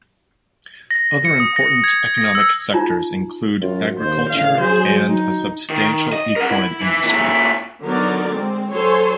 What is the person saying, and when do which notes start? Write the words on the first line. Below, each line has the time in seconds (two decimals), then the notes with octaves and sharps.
Other important economic sectors include agriculture and a substantial equine industry.
0.91 A#6
1.25 C#7
1.40 D#6
1.56 A#6
1.84 G#6
2.18 A#6
2.35 E6
2.74 D#4 F4 A#5
3.62 F#2 F4
3.99 D#2 C5
4.30 A1 C#4 F5
4.60 F#3 G#4 C5
5.07 D#4
5.70 D#3
6.13 D#5
6.36 A#4 F#5
6.50 E4
6.81 E3
7.04 A#2 E4
7.84 D3 F#3 B3 D#4 A#4 D5
8.29 G#3 C4
8.72 F#3 A4 C5 C#5 G#5 C6